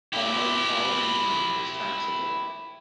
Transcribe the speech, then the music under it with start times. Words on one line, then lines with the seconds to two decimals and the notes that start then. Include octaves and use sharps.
Almost all income is taxable.
0.13 E4 G4